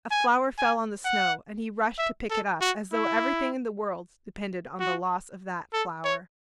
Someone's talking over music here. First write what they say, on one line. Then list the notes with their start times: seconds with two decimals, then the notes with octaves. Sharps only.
A flower fell on the snow and he rushed to pick it up as though everything in the world depended on the loss of that flower.
0.11 G#5
0.58 G#5
1.05 F#5
1.98 E5
2.30 A4
2.61 F#4
2.93 E4
4.80 F#4
5.73 A4
6.05 C#5